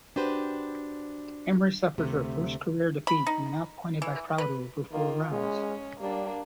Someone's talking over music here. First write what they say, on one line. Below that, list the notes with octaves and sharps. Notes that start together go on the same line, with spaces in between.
Emery suffered her first career defeat when outpointed by Prouder over four rounds.
D4 F#4 G4 B4 C5
D2 C3 A3
B5
D#4
E3
B4
D#3 A#3 F4
G#3 C#4
G3 A#3 D4